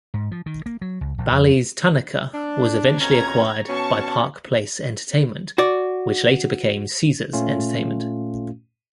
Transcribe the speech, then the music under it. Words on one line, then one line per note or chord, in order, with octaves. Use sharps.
Bally's Tunica was eventually acquired by Park Place Entertainment which later became Caesars Entertainment.
G#2
F3
D#3
A#3
F#3
C#2
A#1
F2
D4
F2 B2 C#4 A#5 G#6
B2 C#4 A5 C#6
F#4 D5
A#2 A3 C#4 F4